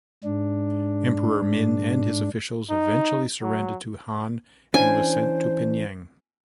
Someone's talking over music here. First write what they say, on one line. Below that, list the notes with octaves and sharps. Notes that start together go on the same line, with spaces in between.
Emperor Min and his officials eventually surrendered to Han and was sent to Pingyang.
G#2 D4
D#4
F#3
E3 C#4 D4 C5 G#5